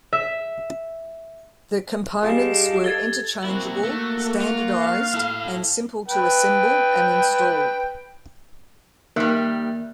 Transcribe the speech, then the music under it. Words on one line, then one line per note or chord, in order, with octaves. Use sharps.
The components were interchangeable, standardized, and simple to assemble and install.
E5
G3 F4 G#4 D#5 F5 A5
A4 G#6 A6 G7
A#3 C4 E4 F#4
A3
F4
F5
E4 A4
B4 G5
D#3 G3 A#3 E5 F#6